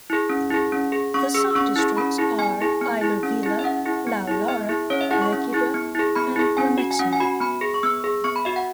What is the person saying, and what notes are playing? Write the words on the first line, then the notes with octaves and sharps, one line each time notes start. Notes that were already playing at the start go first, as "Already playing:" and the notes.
The subdistricts are Aileu Vila, Laulara, Lequidoe and Remexio.
E4 G#4
C#4
E4 G#4
C#4
G#4
C#4 C#6
G#4 E6
E6
C#4 C#6
E4 G#4
C#4 B5
E4 G#4
B3 G#5
E4 G#4
B3
E4 G#4
C#4
E4 G#4
E5
C#4 F#5
E4 G#4
B3
E4 G#4
B3 E5
E4 G#4
C#4 C#5
E5
E4 G#4 F#5
C#6
C#4
E4 G#4
B3
E4 G#4
B3 B5
E4 G#4
C#4 G#5
F#4
G#5
C#4 F#5
G#5
F#4 B5
B3 B5
G#4
C#6
B3 E6
G#4
B3 C#6
B5
F#4 E5
F#5